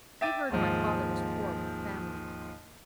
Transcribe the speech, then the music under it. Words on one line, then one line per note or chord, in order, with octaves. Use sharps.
He heard my father was poor, with a family.
E5 G5 D6 A6 D#7
D#2 G#2 F3